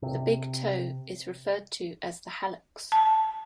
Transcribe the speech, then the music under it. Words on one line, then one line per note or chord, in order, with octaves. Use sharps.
The big toe is referred to as the hallux.
C3
A5